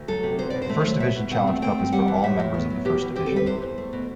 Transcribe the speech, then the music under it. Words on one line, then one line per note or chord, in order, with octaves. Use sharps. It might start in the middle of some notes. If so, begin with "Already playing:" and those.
The First Division Challenge Cup is for all members of the First Division.
Already playing: D2
F#3 A4
C3
B2 C5
B2 D5
C5
A3
F#3
B2 E5
B2
C4 F#5
A3
C4 G5
G2
G3 F#5
E3
A2 E5
A2
B3
F#3
B2 G4
B2
C4 G4
A4
G3 B4
E2 C5
E2
A3
B2